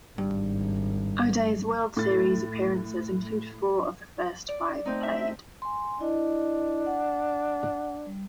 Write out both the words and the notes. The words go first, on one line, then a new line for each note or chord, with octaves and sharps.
O'Day's World Series appearances include four of the first five played.
G#1 G2
A2 A6
D5
A3 C4 D#4
E5
G#5 C6
D4 E4 D#5
F#5
G3